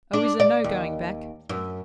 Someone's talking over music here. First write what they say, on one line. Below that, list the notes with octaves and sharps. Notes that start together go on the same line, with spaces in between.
Oh, is there no going back?'
D4
D5
D#2
F#2